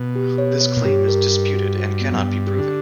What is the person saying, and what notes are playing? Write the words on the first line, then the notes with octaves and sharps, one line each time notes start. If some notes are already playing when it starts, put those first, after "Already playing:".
This claim is disputed and cannot be proven.
Already playing: B2
G4
C#5
C#5
A#2
G2 G4
A#4
G4
F#4
F#4
B3
F#2
G2 G5
G4
D3